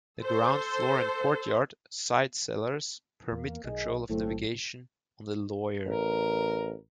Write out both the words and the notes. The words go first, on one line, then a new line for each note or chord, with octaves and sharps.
The ground floor and courtyard side cellars permit control of navigation on the Loire.
A4 C5
E2 A#3
B1 D#3 G#4 D#5
G1 A2 F#3 C4 A4
A1 A#4